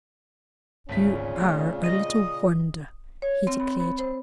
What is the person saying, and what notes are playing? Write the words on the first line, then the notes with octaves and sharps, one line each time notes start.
"You are a little wonder," he declared.
G#1 D2 A#2 C#3 C#4 B6
A3 C4 F4
D#5
C#5
C4
B5
B5
C5